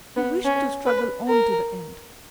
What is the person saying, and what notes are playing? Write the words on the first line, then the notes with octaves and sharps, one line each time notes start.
He wished to struggle on to the end.
B3
C#4
B4
A#4